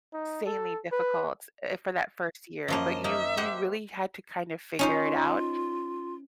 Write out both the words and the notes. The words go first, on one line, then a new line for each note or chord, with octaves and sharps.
sanely difficult, eh, for that first year, but you we really had to kinda figure it out,
D#4
A4
B4
F#2 F3 A#3 D#5
A#3 D#4 E5
G4 C5 F#5
C#4 D#4 F4 C5